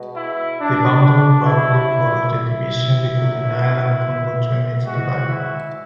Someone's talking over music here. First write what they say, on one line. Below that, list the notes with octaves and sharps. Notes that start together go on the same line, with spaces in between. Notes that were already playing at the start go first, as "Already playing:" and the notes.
The boundary roughly follows the division between the Nile and Congo drainage divide.
Already playing: B2 G#3
E4
D4
D4
G#2 F#3 E4
E4
F#2 D3 F#3
G#2 E3 G#3 F#4
E4